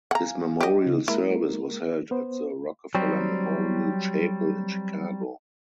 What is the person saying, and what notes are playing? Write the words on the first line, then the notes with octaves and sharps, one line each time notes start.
His memorial service was held at the Rockefeller Memorial Chapel in Chicago.
F5 F#5 G#5 A#5
G4 D#5
C#3 D#4
G#3 A#3 E4 A#4
B3 C5
F#3 G3 C4